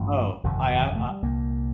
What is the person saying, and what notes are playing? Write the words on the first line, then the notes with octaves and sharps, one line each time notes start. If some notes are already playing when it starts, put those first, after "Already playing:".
Oh, I, uh, uh
Already playing: A1 G2 D3 F3
G1 F2 C3 D#3
D#3
F3
A3
G3
C2 A#2 A#3